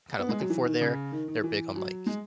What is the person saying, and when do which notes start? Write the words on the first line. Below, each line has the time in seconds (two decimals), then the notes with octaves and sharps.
kinda looking for there. They're big on, like,
0.19 B3
0.29 G#3
0.40 F#3
0.50 E3
0.65 D#3
0.81 C#3
1.12 D#3
1.28 D#3
1.44 E3
1.75 F#3
2.06 G#3